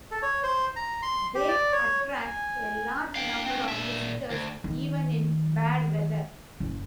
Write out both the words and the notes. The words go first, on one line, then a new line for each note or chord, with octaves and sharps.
They attract a large number of visitors even in bad weather.
A4
C#5
C5
A#5
C6
G4
D5
C#5
G#5
D4
F5 G5
C4 C#4
A#2 E5
D2 C5
D#3
F#1